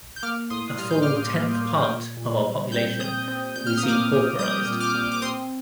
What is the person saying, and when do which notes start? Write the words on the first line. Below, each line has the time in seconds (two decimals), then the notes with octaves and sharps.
A full tenth part of our population we see pauperized.
0.16 G6
0.23 A#3 D6 F6
0.50 A2 C6 D#6
0.78 G3 F6
0.91 G6
1.02 G3 D6 F6
1.34 A#3
1.61 A#3
1.89 A#2
2.17 A#2
2.44 G3
2.72 C4 G6
3.00 C4 D#6 G6
3.28 C4
3.56 A#2 G6
3.67 F6
3.77 D#6
3.83 A#3
3.88 D6 F6
4.11 A#2
4.39 G3 D#6 G6
4.67 A#2
4.80 D6 F6
4.94 A#2
5.12 D6
5.22 C4 C6 D#6